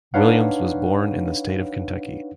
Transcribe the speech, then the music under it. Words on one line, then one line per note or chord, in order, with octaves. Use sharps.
Williams was born in the state of Kentucky.
D4 D#4 B4 C#5 F5 F#5